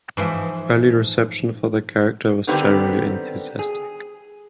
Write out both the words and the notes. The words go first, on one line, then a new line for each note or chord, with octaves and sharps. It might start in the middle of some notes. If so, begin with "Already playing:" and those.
Early reception for the character was generally enthusiastic.
G#2 E3 F3
D3 D#3 G3 B3 C4 G4
G#4